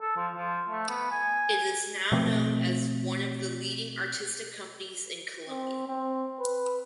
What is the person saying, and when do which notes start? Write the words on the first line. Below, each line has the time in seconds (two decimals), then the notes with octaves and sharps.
It is now known as one of the leading artistic companies in Colombia.
0.01 A4
0.17 F3
0.35 F3
0.69 A3
0.89 B3
1.11 G#5
2.12 B2 F3 A3 C4
5.49 C4
5.88 C4
6.40 B4